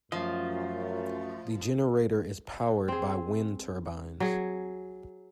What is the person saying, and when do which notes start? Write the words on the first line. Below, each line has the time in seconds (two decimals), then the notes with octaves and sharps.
The generator is powered by wind turbines.
0.12 F#2 F3 A3 F4 D#5
2.88 C4 G#4
4.20 F#3 G#4